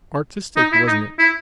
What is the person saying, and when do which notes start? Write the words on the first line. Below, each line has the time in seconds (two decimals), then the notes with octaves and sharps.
Artistic, wasn't it?
0.56 D#4
0.72 E4
0.87 D#4
1.19 E4